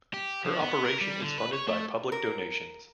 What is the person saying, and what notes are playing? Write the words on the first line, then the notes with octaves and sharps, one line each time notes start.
Her operation is funded by public donations.
G4
F3
B3
A#4
G3
D3
B4
C#5
A3
A#4